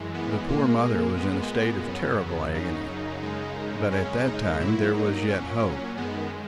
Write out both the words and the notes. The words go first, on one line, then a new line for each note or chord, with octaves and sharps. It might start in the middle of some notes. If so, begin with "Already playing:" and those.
The poor mother was in a state of terrible agony, but at that time there was yet hope.
Already playing: F#2 E3 G#3
B3
A#2 G#3 A#3
B3
B3
F#2 C#3 F#3
D#4
F#2 C#3 G#3
C#4
D#4
A#2 F#3 E4
D#4
C#4
F#2 D#3 G#3 B3